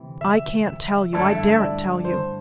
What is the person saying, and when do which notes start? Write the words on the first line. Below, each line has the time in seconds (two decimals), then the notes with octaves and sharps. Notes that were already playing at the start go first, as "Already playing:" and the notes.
"I can't tell you--I daren't tell you."
Already playing: D2 C3 E3
0.21 E5
1.13 G2 D3 A3 E4 A4 D5
1.24 E5
1.36 E5
1.47 E5
1.58 D5
2.05 C5